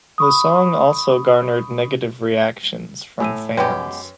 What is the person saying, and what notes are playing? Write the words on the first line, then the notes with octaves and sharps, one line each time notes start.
The song also garnered negative reactions from fans.
B5 C#6 D#6
A2 G#5 E6 D#7
F#2 G#3 B3 G4 B4 C#5 G5